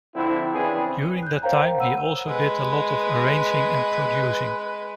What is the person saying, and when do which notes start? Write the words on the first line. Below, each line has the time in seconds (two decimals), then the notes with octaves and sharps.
During that time he also did a lot of arranging and producing.
0.15 D3 F3 C4 E4
0.53 C#3 E3 C4 D4 G#4 B4
1.23 F#6 G6
1.42 A#4 C5 C#5 F5 G5 A#5
1.77 F#5 B5 E6 D#7
2.27 G#3 B4